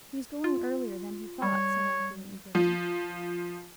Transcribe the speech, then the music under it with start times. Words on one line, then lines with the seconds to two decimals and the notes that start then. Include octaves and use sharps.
'He's going earlier than he thought,' said Anthea eagerly.
0.44 F4
1.42 G3 C#5
2.55 F3